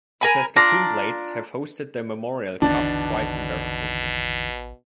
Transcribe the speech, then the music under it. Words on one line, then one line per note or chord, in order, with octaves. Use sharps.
The Saskatoon Blades have hosted the Memorial Cup twice in their existence.
A#4 G#5 B5
D4 F4 D5 A#5
A1 E2 B2 D3 D#3 D4